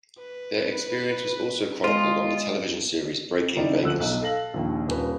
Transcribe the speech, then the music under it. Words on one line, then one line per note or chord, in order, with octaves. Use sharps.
Their experience was also chronicled on the television series Breaking Vegas.
B4
G#3 F4 D#5
F#1 D#3 D#4 E4 D5
D2 F3 E6 F#6 F#7
B1 D#4
A4 F5 A#6 F#7
A#1 D#2
D#1 B4